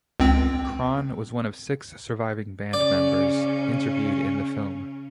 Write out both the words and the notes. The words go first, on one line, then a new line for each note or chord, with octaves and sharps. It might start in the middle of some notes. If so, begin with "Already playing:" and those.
Cron was one of six surviving band members interviewed in the film.
C#2 C4
C#3 C#4 D5